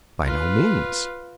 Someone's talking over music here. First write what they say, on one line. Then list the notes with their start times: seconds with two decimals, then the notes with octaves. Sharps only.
"By no means."
0.25 F4 B4